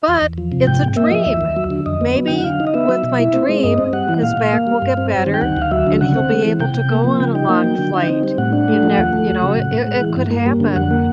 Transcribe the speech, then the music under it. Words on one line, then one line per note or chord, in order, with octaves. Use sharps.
but it's a dream! Maybe with my dream, his back will get better, and he'll be able to go on a long flight. You ne you know, it it could happen.
E2
E2
F3
C3
G#2 G5
G#2
A#3 E5
D#5
F3 E5
D#2
D#2
F#3
D3
F2 D#5
B3
F#3
D3 G5
F#5
D3 F5
D#4
D#5
B3 E5
F#3
B2
E4
C4
G#3
G2 D#5
C4
G3 F#5
E3
A#2 F5
A#2
A#3
G3
G2
C4
G3
D#3
G5
D2 F#5
D2
F5
F#3 E5
D3
C#3 F#5
C4
G#3
E3
C3 G5
C3
A#3
F3
C#3 G5
D#4 G5
A#3
F#3
D3
D#4
C4
G3
A2 F#5
D4
A3
F3
D#2
A3
F#3
C#3
A2
A2
G#3
E3
G2
A#3
G3
D3
F2 F#5
A#3